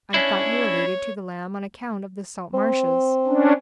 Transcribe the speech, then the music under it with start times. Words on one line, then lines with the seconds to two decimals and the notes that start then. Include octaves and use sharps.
"I thought you alluded to the lamb on account of the salt marshes."
0.14 C#4 D4 E4 C#5
2.54 C4
3.27 C#4 D4